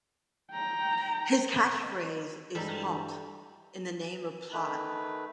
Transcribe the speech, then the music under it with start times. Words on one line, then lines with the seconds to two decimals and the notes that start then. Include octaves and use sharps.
His catchphrase is Halt, in the name of Plod!
0.52 G5 A#5
1.83 D#5
2.55 D2 G2 E3 G3 G#3 A4 A#5
4.52 D#3 A3 B4